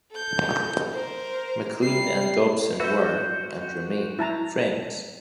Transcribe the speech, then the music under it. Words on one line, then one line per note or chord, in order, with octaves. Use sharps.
Maclean and Dobson were, and remain, friends.
A4 G6
A#4 C5
C3 G3 C7
F#4 B4 C5 E5
E4 A5 A#5